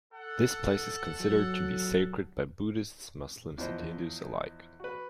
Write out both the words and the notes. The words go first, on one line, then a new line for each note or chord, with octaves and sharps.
This place is considered to be sacred by Buddhists, Muslims and Hindus alike.
A4 F#5
F#3
E2 F3 C5 D#5
F#4 B4